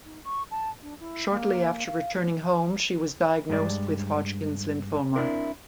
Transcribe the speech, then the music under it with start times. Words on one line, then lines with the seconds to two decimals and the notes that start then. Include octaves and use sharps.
Shortly after returning home she was diagnosed with Hodgkin lymphoma.
0.05 D#4
0.25 C#6
0.51 A5
0.82 D4
1.00 E4
1.30 A#3
1.87 F5
3.49 G2 G#3 D5
5.16 C4 D4 E4 A#4